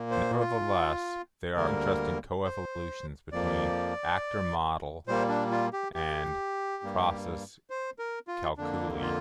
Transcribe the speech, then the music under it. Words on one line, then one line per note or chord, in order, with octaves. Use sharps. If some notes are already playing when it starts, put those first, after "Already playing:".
Nevertheless there are interesting co-evolutions between the Actor Model and Process Calculi.
Already playing: A#2 A#3
C5
F4
D2 D3 G3 A#3 A#4
C5
F2 F3 A#3 D5
A#2 G3 A#3 C5
D4
F4
G4
G4
G2 G3 A#3
C5
A#4
F4
F2 D3 A#3 D4
F4